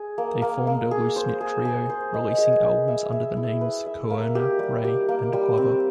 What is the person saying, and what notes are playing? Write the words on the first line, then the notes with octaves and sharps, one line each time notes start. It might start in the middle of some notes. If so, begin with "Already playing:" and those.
They formed a loose-knit trio, releasing albums under the name Koerner, Ray and Glover.
Already playing: G#4
A#3
A#3
A#3
G#4
C5
G#4
G#4
C5
D#5
G#4
B4
E5
E5
E4
B4
E5
A#3
G4
G3
G4
A#3
G3
C4